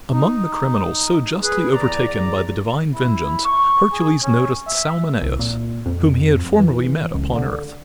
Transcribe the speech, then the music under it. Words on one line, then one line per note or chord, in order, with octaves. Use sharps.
Among the criminals so justly overtaken by the divine vengeance Hercules noticed Salmoneus, whom he had formerly met upon earth.
D#4
G#4 B4
E2 D5 A#5
E4
C#6
G#4
C#4
E5
C2
A#2
F2
E3
C#2
D3